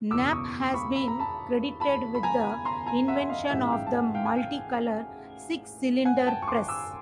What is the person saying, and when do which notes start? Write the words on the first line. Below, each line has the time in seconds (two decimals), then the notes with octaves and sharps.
Knapp has been credited with the invention of the multicolor six-cylinder press.
0.11 F#1 E2 B2 D6 E6
0.32 C#6 D#6
0.74 B5 C#6
0.96 B5
1.08 A#5
1.19 A5 B5
1.80 A5 B5
2.15 B5
2.23 G#5 A#5
2.65 A#5 C6
2.86 G#5 A#5
3.08 E5 F#5
3.19 E5
3.29 D#5 F5
3.50 A1 G#2 E3 E5 F#5
3.72 F5 G5
3.87 A5
3.93 F#5 G#5
4.14 F5 G5
4.25 G#5
4.35 F5 G5
6.05 F#5 G#5
6.26 G5 A5
6.42 C#6
6.48 C6 D6
6.69 D6 E6